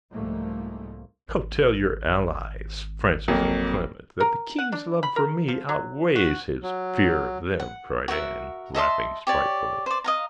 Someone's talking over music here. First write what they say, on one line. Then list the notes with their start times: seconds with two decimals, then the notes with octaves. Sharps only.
"Go, tell your allies, Francis and Clement, that the king's love for me outweighs his fear of them," cried Anne, laughing spitefully.
0.13 C2 G#2 F3 G3 A3 A#3
1.28 G#1
3.28 F2 F#3 A#3
4.20 A#4
4.58 F#5
4.72 D4
5.03 B5
5.16 A#4
5.48 F3
5.69 F#3
6.16 F#4
6.63 F#3
7.60 F#5
8.08 F#4 A#4 E5 F#5
8.75 D#5 E5 A5 C6
9.27 G4 C#5 D5
9.86 C5 D5
10.04 D#5 F5 A#5